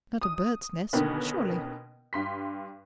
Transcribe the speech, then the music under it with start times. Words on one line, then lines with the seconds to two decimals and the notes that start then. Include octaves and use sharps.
Not a bird's nest, surely.'
0.21 D#6
0.93 B2 D3 D#3 A#3 B3 C#4
2.13 G2 C6 B6